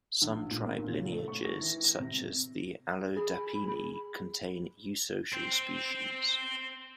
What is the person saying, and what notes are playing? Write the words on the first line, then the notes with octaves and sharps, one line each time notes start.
Some tribe lineages, such as the Allodapini, contain eusocial species.
A#1
A#2
A#3
A#2
C#3
A3
C#6
A#6
E3
A#6
C3
G#4 B5
C5 G5